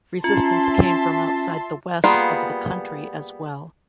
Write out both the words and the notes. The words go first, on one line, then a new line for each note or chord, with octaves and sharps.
Resistance came from outside the West of the country as well.
C#4 F4 E5 A5 C6
G3 A#3 B3 F4 G#4